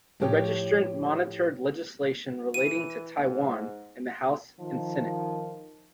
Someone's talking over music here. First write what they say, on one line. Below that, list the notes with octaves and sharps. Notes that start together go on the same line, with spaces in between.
The registrant monitored legislation relating to Taiwan in the House and Senate.
A2 F3 G4 C#5 G5
E3 D#7
G#2
D#3 F3